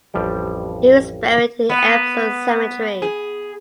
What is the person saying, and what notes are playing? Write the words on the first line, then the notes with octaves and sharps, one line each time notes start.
He is buried in Epsom cemetery.
A1 F2 F3 G3 G5
B3
G#4